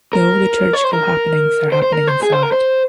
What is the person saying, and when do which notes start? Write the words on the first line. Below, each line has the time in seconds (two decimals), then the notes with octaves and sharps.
No liturgical happenings are happening inside.
0.13 A#4
0.73 C#5
0.84 C5
0.93 A#4
1.72 C5
1.82 C5
1.92 A#4
2.07 C5
2.23 G#4
2.32 C5
2.43 A#4
2.52 C5